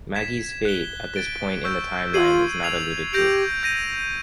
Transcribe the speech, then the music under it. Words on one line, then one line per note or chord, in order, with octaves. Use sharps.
Maggie's fate at this point in the time-line is not alluded to.
G#6 B6 E7
F#6 B6 E7 G7
A6 D7 G7
C#6 E6 G6
F4 G4 G#6 C7 D#7 F#7
G#6 C7 F7
G4 G6 A#6 D7 F7
G6 A#6 D#7